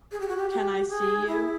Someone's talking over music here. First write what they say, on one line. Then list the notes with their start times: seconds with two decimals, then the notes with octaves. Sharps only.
Can I see you?
0.12 G#4
0.20 G4
0.28 F#4
0.37 G4
0.50 G4
0.89 G#4
1.27 E4